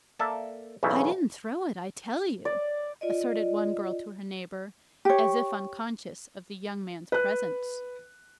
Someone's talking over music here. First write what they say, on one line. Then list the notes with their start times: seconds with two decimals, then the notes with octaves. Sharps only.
"I DIDN'T throw it, I tell you!" asserted one girl to her neighbour, as if unconscious of the young man's presence.
0.19 A#3 A4 D5 E5 A5
0.83 B1 E2 C#3 E5
2.45 D5
3.01 F4 D5 D#5
5.05 G4 C#5
7.12 B4 F#6